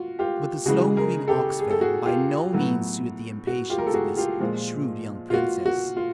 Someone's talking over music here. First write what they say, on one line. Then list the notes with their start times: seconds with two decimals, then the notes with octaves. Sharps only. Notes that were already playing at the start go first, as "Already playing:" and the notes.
But the slow-moving ox-wagon by no means suited the impatience of this shrewd young princess.
Already playing: F4 F#4
0.19 F4 G4
0.66 C#3 E3 G#3 F#4 G#4
0.97 G#4 A#4
1.28 G4 A4
1.60 G#4
1.71 A4
1.81 F#4 G#4
2.06 F4 G4
2.53 A2 F#3 B3
3.47 F#4
3.70 F4 G4
3.78 A#4
3.87 A4
3.94 F#4 G#4
4.17 F4 G4
4.40 A#2 F3 G#3 F4
5.30 F4
5.34 F#4
5.66 F#4
5.97 F4